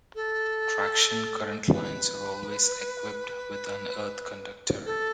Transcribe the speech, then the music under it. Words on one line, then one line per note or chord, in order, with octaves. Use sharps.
Traction current lines are always equipped with an earth conductor.
A4
B4
A4